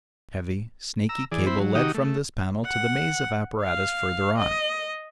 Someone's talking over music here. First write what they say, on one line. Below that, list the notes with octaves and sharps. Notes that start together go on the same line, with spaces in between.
A heavy, snaky cable led from this panel to the maze of apparatus further on.
A#5 E6
E3 G#4 D5
C4 E4 C5 B5
F#3
D#3 D#4 F#4 G4 D#6
A3
F#5
F5
D#5